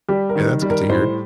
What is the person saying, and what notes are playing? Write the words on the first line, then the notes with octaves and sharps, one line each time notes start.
Yeah, that's good to hear.
G3 G4
A#4
D#3
G3
A#4
A2 C5